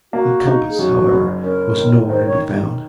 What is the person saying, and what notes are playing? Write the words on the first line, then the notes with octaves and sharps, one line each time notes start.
The compass, however, was nowhere to be found.
A#3 F#4
D#4
G#4
F#2 F#4
F#1
C#4 A#4
D#3
D#3 C5
C#5